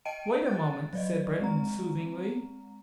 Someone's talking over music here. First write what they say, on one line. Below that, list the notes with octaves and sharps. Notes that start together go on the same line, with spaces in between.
"Wait a moment," said Breton, soothingly.
D#5 G5 A5 D7 D#7
F#6 A6
F#3 D5 D#5
G#3 C4 A#5